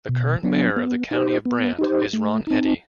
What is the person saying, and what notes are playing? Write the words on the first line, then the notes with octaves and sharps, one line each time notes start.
The current mayor of the County of Brant is Ron Eddy.
B2
F#3 B3 D4
B3
D#4 G4 C5
B3
D#4 G4 C5
A3
C4 D#4